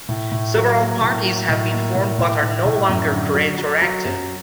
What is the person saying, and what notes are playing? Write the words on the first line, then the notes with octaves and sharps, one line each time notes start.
Several parties have been formed but are no longer current or active.
A2
A2
F#3
A#3
A2
F#3
A2
A#3
A2
A2
A2
A2
F#2
D3
F#3
F#3
F#3
F#2